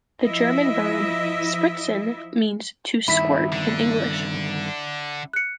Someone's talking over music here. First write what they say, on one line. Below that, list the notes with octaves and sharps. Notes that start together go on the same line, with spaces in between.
The German verb "spritzen" means "to squirt" in English.
F3 E4 D#5 E5
G2 D#3 E4 B5 B6
D3
F#6 C#7